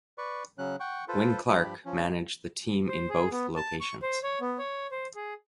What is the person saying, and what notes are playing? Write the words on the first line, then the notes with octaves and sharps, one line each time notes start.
Win Clark managed the team in both locations.
B4 D5 C#6
C#3 F#3 C#4 F#6
F#5 G5 C#6
F4 A4 B4 C5
G2 F3 G4 B5
F3 C#4
C5
G#4
B3
A5
C#6
C5
C#5
B3
C#5
C5
G#4